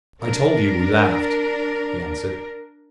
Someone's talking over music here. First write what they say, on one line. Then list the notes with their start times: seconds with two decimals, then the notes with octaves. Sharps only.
'I told you we laughed,' he answered.
0.22 D4 A#4